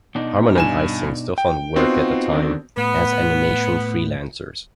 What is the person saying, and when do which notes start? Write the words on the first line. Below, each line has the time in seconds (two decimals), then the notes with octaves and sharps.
Harman and Ising still found work at the time as animation freelancers.
0.15 B2 D4 D#4
0.56 G2 G#5 E7
1.38 G5
1.76 B3 C4 D#4 F4 F#4
2.33 D3 D#3 D4
2.77 A2 B3